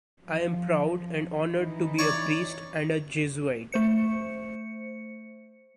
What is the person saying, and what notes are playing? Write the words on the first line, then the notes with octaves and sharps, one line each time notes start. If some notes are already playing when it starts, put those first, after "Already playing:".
I am proud and honored to be a priest and a Jesuit.
F3
E3 D#4 E4
C#5 D5
A3 C5 C#7